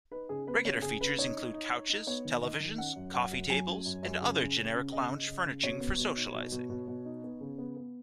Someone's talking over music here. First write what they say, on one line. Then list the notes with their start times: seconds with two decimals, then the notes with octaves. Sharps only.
Regular features include couches, televisions, coffee tables, and other generic lounge furniture for socializing.
0.11 D#4 B4
0.29 C#3 G#4
0.47 B3 B4
0.65 C#3 C#5
0.82 C#3 G#4
1.01 C#3 B4
1.18 D#4 C#5
1.37 D#4
1.53 D#4
1.72 D#4
1.90 D#4
2.07 B3 C#5
2.25 D#3
2.43 D#3 D#5
2.60 D#3
2.78 C#4 F#5
2.96 F#2
3.14 F#2 F#5
3.31 F#2
3.49 F#3 G#5
3.67 C#4
3.85 F#2
4.03 F#2
4.21 C#3
4.39 C#3
4.57 C#4
4.75 C#3
4.92 C#3 D#5
5.09 C#3
5.27 C#3
5.45 C#3
5.63 B2 C#5
5.81 B3
5.99 B2
6.17 D#4
6.34 B2
6.52 B2
6.70 B2
6.87 B2
7.05 D#4
7.24 B3
7.41 C#3
7.58 B3
7.77 B3